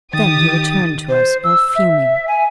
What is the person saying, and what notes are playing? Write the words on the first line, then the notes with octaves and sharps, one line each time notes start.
Then he returned to us, all fuming.
D#3 G4 D#6 A6
C5
E6
E5
G#5